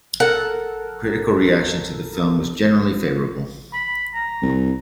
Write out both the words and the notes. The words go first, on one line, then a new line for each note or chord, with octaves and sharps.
Critical reaction to the film was generally favorable.
A4 A#4 F#5
B5
A#5
C2